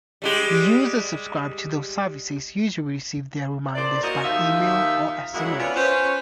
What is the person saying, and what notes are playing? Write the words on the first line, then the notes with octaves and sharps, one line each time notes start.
Users subscribed to those services usually receive their reminders by email or sms.
G3 G#3 G4
E2 A#2 C5 D5
A#3 F#4 A#4 C5 D#5
D#2 F3 D#4 E5 F5
F#2 C#3 G#3 E4 F#5
B3 C#4 D4 E4 F4 B4
C#4 B4 C5